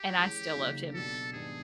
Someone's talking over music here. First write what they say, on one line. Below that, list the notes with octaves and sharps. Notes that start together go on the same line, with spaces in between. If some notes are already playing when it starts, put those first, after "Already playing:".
and I still loved him,
Already playing: G4
E3 G#3 C#4
C#3 F#3 A#3 D#4
B2 F#3 B3 D4 G4 A4
G#2 D#3 G3 B3 D4 G#4